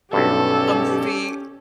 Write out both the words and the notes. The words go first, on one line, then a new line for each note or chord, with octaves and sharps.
a movie
B1 G2 C#4 G4 A4